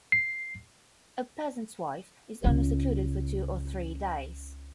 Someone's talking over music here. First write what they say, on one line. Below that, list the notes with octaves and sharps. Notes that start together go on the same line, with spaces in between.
A peasant’s wife is only secluded for two or three days.
C7
C#2 C#3